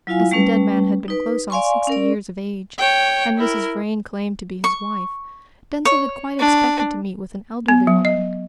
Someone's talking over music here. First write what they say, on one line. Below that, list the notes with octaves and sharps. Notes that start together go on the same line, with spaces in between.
As the dead man had been close on sixty years of age, and Mrs. Vrain claimed to be his wife, Denzil had quite expected to meet with an elderly woman.
F#3 E4 F4 F5 G#5
G3 A3 C#4 B4
D#4 B4
D5 F5 G#5 C6 C#6
C#4 A#4 D5
C#5 G5
E4 A#4
C#6
C#5
D4
B3
F#3
D#5